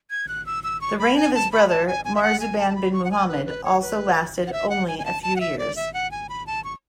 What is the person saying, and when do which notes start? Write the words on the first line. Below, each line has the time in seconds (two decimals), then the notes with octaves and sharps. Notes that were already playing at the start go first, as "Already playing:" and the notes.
The reign of his brother, Marzuban bin Muhammad, also lasted only a few years.
0.10 G#6
0.28 F#6
0.46 E6
0.64 E6
0.81 C#6
0.99 B5
1.17 G#5
1.34 A5
1.52 B5
1.69 A5
1.87 G#5
2.05 G#5
2.16 E5
2.23 F#5
2.40 G#5
2.58 A5
2.70 A5
2.75 B5
2.93 C#6
3.04 F#5
3.11 G#5
3.29 B4
3.46 B4
3.64 C#5
3.82 B4
4.47 F#5
4.53 E5
4.70 F#5
4.87 G#5
4.99 G#5
5.05 A5
5.23 A5
5.36 F#5
5.40 E5
5.58 D5
5.76 E5
5.94 F#5
6.11 G#5
6.29 B5
6.47 A5
6.64 C#6